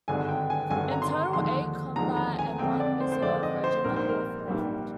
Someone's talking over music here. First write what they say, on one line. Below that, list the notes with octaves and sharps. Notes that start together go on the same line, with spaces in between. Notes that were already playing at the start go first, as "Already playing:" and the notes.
In total eight combat and one reserve regiment were formed.
G#1 G2 D3 G#3 G#5
G5
G#5
G#1 G2 D3 G#3 G#5
A#5
C6
D#2 D3 F3 G#3 C6
D#2 D3 F3 G#3 A#5
A#5
G#5
F2 D3 G#3 C4 G5
D5
C5
C5
F2 D3 G#3 C4 D5
D#5
C5
A#1 G#2 G3 A#4
C5
A#4
A#1 G#2 G3